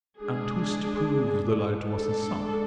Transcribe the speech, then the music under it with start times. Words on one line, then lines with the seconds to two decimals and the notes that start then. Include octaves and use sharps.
And who's to prove the lighter wasn't sunk?
0.20 G#3 D4 G#4
1.84 G#3 D4 A4